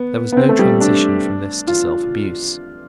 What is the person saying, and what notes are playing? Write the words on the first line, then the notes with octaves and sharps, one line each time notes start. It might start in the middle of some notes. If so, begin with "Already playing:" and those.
There was no transition from this to self-abuse.
Already playing: B3
B3
C4
A3
G3
D4
F4